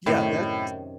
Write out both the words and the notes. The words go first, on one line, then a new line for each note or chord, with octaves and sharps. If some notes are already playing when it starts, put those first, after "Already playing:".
Yeah, that's
F#2 A2 C3 D#3